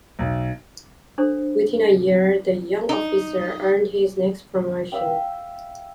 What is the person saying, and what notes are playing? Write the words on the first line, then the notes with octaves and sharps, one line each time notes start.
Within a year the young officer earned his next promotion.
B1
D4 A4 C5
D#4
E5 F5 G5